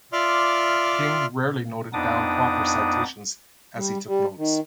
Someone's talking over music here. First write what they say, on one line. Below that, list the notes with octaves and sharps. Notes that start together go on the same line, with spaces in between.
King rarely noted down proper citations as he took notes.
F4 D5 E5 C6 D6 F6
F2 B3 D4 D#4 D6 D#6
G3
G3
D#3